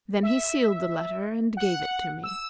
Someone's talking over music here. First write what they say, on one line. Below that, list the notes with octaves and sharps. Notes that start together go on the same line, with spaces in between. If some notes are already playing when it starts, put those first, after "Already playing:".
Then he sealed the letter and gave it to me.
E5
F#5
E6